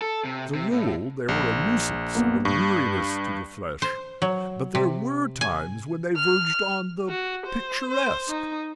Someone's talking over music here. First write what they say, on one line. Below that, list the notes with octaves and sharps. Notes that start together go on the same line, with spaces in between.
As a rule they were a nuisance and a weariness to the flesh, but there were times when they verged on the picturesque.
A4
C3
C3
A2
A#1
A#3 B3
G2 C#6
C5
F#3
C3
G#5
F6
F#4
C5
C5
D#4